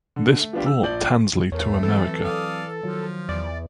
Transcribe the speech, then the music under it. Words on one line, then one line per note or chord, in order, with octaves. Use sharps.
This brought Tansley to America.
D3
A3
F3 B3 D4 F4 G4
E6
A#1 F3 D5 G6 F#7
E2 A3 A#4 C#5
E3 F#3 C4 A4
D5 F5 D#6
D#3 F3 F#3 F4
E2 D5